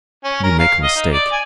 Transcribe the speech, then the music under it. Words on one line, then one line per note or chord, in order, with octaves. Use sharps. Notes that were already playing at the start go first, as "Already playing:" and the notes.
"You make a mistake."
C#4
A#4
F5
D#5
D#4
D5
G#5